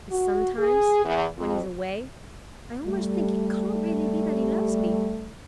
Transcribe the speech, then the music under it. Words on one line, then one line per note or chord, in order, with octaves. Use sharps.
And sometimes, when he is away, I almost think it can't really be that he loves me.
F#4
G#4
E2
F2
G3 A3